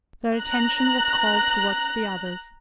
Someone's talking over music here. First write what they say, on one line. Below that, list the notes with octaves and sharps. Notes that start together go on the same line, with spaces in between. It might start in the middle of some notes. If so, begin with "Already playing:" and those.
Their attention was called towards the others.
A#5 F#6